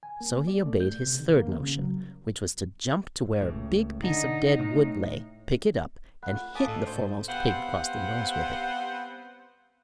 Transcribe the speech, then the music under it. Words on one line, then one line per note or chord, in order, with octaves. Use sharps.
So he obeyed his third notion, which was to jump to where a big piece of dead wood lay, pick it up, and hit the foremost pig across the nose with it.
G#5
A#3
D5
A3
G6
C3
D#3
A#3
C#3
F#3
C#2 A2
D3 D#4
A2
A3 F4 F#5 B5 F#6
F5 G#5 A5 D6 D#6 B6
A2 A4 D#5
D4 F#4 C5 C6 G6
G3 B3 C4 C5 F5 F#5